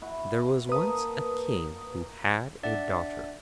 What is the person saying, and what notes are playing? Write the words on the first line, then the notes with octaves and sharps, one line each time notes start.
There was once a King who had a Daughter.
E4 F#4 E5
A#3 A4 B4 D#6
D4 D5 E5 F#5